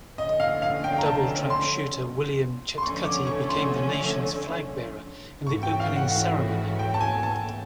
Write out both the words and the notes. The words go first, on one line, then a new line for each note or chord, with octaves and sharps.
Double trap shooter William Chetcuti became the nation's flag bearer in the opening ceremony.
D3 F3 A3 C#4 D#5
F5
F5
G5
A#5
A5
C6
C6
D3 F3 A3 C#4 C#6
D6
C#6
C6
G#2 E3 A3 C#4 F#4 C#6
G5
F5
F#5
G5
A5
G#5
A5